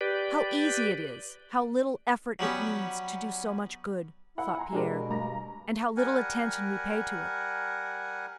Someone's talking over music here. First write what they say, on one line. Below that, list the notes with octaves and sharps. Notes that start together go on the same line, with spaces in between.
"How easy it is, how little effort it needs, to do so much good," thought Pierre, "and how little attention we pay to it!"
G4 B4 D5
F#3 G3 B3 C#4
E4 F#5
G#5 A#5 C6
B2 G#3 D4 G4 A#4
G2 A#5 A#6
G3 A#4 F#5 G#5